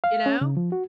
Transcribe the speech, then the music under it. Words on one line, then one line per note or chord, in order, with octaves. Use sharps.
You know?
F5
C#4
C#3
F3
F#4